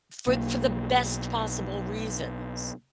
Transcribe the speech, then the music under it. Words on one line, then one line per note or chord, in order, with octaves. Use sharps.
for for the best possible reasons.
B1 A#3